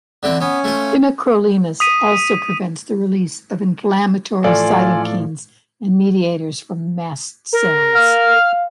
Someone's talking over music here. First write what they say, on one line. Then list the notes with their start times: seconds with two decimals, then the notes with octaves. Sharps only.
Pimecrolimus also prevents the release of inflammatory cytokines and mediators from mast cells.
0.23 D3 E3 C4
0.41 B3 C#4
0.64 A3 F4
1.80 D#6 B6 D#7
4.44 A2 E3 F3 F4 A4 D5 F5 G#5
7.53 A#4
7.95 F5 F6